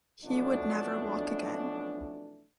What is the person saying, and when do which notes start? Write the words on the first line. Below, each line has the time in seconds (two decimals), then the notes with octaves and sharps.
He would never walk again.
0.25 B1 F2 B2 E3 A3 D4